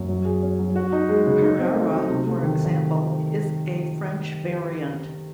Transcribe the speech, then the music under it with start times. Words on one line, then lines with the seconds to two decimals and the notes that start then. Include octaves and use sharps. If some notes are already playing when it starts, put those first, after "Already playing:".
"Pereire", for example, is a French variant.
Already playing: F#2
0.08 F#3
0.25 G#4
0.42 C#4
0.59 F#3
0.75 F#4
0.92 D#4
1.09 G#3
1.26 C#3
1.42 D#4
1.59 C4
1.75 A3
1.93 F#3
2.10 C3
2.26 A3
2.43 D#3